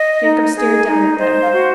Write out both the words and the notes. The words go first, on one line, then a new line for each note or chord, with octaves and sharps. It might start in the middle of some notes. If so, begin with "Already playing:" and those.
Jacob stared down at them.
Already playing: D#5
D#4
G#4
D#4
C5 D#5
F5
F#4